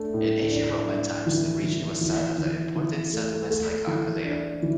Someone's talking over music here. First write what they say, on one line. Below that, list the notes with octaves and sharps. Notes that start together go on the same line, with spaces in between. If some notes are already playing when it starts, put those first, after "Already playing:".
In Ancient Roman times the region was the site of important settlements like Aquileia.
Already playing: A3 D4
A2
D4
D4
E3
E3
E3
E3
E3
A3
A3
E3
D4
E3